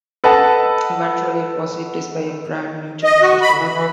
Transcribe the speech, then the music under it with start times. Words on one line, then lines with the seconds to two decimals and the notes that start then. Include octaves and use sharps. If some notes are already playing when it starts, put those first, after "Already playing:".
Eventually it was replaced by a brand new Chinese restaurant.
0.24 A4 B4 D#5 F#5 A5
3.04 D#5
3.21 F#4
3.42 B5
3.57 E3
3.73 E3